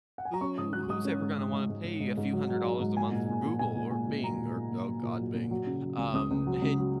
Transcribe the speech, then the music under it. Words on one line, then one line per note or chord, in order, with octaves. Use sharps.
who who's ever gonna wanna pay a few hundred dollars a month for Google or Bing or oh, god, Bing, um, in
F#5
G#5
A#5
C#4 C#6
G#2 D#6
F#3 F#6
G#2 D#6
C#4
G#2
G#2
G#2
G#2
G#2
G#2
G#2
F#3
F#3
F#3
G#2
F#3 G#5
A#2
A#2
A#2
A#2 G#5
A#2
A#2 G#5
A#2
F#3 A#5
A#2
A#2
A#3
F#3
A#2
F#3
A#2
F#3
C#3
F#3
C#2
C#2 D#6
C#2
F#3
C#2
F#3